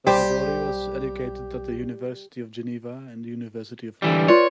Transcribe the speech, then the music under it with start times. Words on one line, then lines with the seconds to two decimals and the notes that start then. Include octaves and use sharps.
Salvadori was educated at the University of Geneva and the University of Rome.
0.07 B1 G3 G4 C5
4.02 D3 E3 G3
4.28 F4 B4 C#5 D5